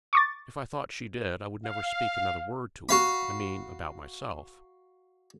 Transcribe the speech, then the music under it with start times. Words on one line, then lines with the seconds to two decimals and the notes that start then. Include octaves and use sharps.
If I thought she did, I would never speak another word to her,--I mean about myself.
0.13 C#6 D6 A6
1.66 F5
2.89 F#4 F5 B5